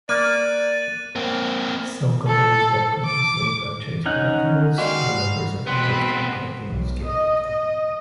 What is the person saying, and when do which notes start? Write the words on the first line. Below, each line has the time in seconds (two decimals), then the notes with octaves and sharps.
Some companies that produce manufactured collectables are members of The Gift and Collectibles Guild.
0.09 A#3 D5 F#6 A6 D#7
1.16 A#3 C4
2.26 A4
3.05 D6
4.06 C#4 D#4 F#5
4.78 G3 G#3 A#3 F#4 F5
5.67 B2 B3 C4 B4 G5 C6
6.67 B1
7.05 D#5
7.46 D#5